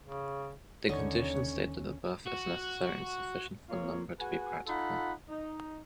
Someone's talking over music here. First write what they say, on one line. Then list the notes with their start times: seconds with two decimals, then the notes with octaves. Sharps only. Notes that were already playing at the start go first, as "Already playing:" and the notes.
The condition stated above is necessary and sufficient for a number to be practical.
0.02 C#3
0.89 D#2 D3 C#4 D#4 C#5 C#6
2.26 F#4
3.68 A#3 C4 F4 C#5
4.19 F#4 G#4 B4 G#5
4.66 D#4 F4 A4 F#5 B5
5.29 D#4